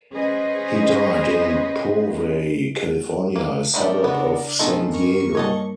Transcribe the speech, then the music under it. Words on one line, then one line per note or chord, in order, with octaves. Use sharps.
He died in Poway, California, a suburb of San Diego.
C#4 G#4 B4 C5 D#5
A#3
G3 A3 D4 D#4 A#4 F#5 B5
C#3 B3 F#4
B2 D#3 F3 G#3 D4 D#4 A4 F#5
G2 A#4 C#6
G3 A#3 C#5 D#5 A5